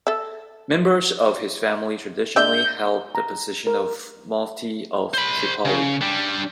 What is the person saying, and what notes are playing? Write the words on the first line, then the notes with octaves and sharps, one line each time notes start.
Members of his family traditionally held the position of mufti of Tripoli.
A4 E5
G#3 D4 E5 G6
A#5
A#4
C5 B5
C#3
G3 D4